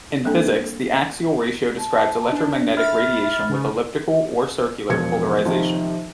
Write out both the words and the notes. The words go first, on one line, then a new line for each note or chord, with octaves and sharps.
In "physics", the axial ratio describes electromagnetic radiation with elliptical, or circular, polarization.
G3 A#3 C4 D4 A4
A5
D4
E5 B5 F6 A6
C#3
E1 F3 G#6 C#7
C3 D#3 F3